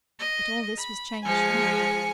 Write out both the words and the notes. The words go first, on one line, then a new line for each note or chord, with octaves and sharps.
But all this was changed now.
D#5
B5
F3 G#3 G#5 C#7